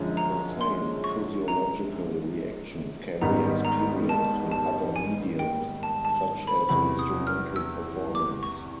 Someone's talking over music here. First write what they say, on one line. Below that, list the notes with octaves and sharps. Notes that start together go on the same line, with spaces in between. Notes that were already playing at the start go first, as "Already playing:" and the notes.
The same physiological reactions can be experienced in other mediums, such as instrumental performance.
Already playing: F#2 D3 F3 G#3 C#4
A#5
C6
C#6
A#5
G#1 G#2 D#3 G3 B3 A#5
A#5
A5
A5
G#5
G5
A5
A5
B5
E2 C3 E3 B5
D#6
F6
E6
D6
C#6